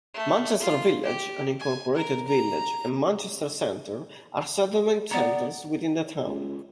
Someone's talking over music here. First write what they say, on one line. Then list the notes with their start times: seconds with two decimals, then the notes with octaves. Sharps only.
Manchester Village, an incorporated village, and Manchester Center are settlement centers within the town.
0.15 A3
0.60 F4
1.03 G4
1.60 G#5
1.95 A#4
2.28 A#5
5.11 B3 D5 A#5
6.27 C#2